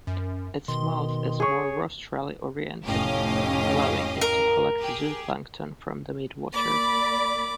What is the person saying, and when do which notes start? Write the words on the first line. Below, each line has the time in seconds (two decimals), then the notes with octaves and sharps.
Its mouth is more rostrally-oriented, allowing it to collect zooplankton from the mid-water.
0.07 F#2
0.68 B2 D#3 C6
1.40 G#4 C#5
2.84 F1 A2 C#4 G4 D#5 F5
4.21 A#4
4.81 G4 G#4
6.53 A#3 D5 B5 D6